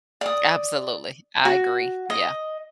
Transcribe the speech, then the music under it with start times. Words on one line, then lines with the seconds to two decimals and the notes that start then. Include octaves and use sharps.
Absolutely, I agree, yeah.
0.21 D5 D#6
1.45 F#4
2.10 D#5